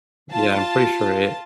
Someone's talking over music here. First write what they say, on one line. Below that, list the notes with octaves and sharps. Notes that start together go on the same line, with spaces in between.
Yeah, I'm pretty sure it
F4 A5